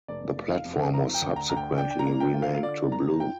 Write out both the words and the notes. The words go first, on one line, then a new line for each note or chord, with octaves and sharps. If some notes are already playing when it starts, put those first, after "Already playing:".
The platform was subsequently renamed to Bloom.
F1 D5
F1
F5
F2
F3 A#5
G5
D2
A#5
D2 A#5
G5
D4 G5
G5
A#5
A#3
G5
F4
F5
F5
D3 D5
F2 A#5
F4 G5